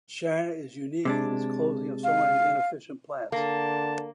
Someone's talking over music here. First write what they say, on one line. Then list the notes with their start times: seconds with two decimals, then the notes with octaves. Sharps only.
China is unique in its closing of so many inefficient plants.
1.05 C3 G#3 D4
2.04 F5
3.32 D3 A#3 A5